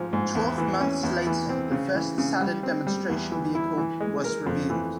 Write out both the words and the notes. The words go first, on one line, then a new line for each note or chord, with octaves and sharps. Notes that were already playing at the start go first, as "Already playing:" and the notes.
Twelve months later, the first Saturn demonstration vehicle was revealed.
Already playing: G#2 F3
G#2
E2
E3
C#4
E2
E3
C4
C#3
E3
C#3
G3
C4
G3
E2
E3
E4
E3
G#3
A#4
F2
E3